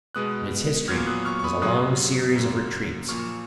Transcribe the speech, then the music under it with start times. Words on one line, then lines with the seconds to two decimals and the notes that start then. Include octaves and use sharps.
But its history was a long series of retreats.
0.15 B2 G#3 B3 D#6 F#6
0.88 A#2 F#3 B3 F6 G#6
1.06 D#6 F#6
1.25 C#6 F6
1.39 C#6
1.44 B5 D#6
1.62 F#2 C#3 F#3 A#3 D#6 F#6
2.35 F#2 C#3 F#3 A#3
3.08 A#2 F3 A#3 C#6 F6